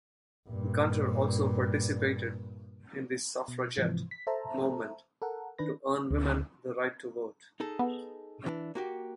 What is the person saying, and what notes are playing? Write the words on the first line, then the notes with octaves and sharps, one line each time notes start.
Gunter also participated in the Suffragette movement to earn women the right to vote.
G2 A#2
B2
G#2 C3 E3 F3
B6
A4 C5 E5 A5 A#5
A4 A#4 F#5
D#3 D4 B4 A#6
D2
D#4 G#4 A4
B3
E3 D4
A#3 F#4 G4